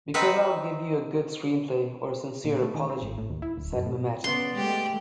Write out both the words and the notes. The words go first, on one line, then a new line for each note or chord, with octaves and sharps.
"Because I'll give you a good screenplay or a sincere apology," said Mamet.
C4 D#4 B4 E5 F#5
A#2
A3
D#3
C4
G#1
A2
D#2
E4
D1
F#2
A2
C#3 B3 D5 C6
G#3 A3 G4